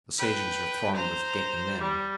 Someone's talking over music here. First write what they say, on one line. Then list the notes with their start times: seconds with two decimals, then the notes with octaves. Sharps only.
The stagings were thronged with gaping men.
0.18 B4 G5
0.95 C5 A#5
1.82 G3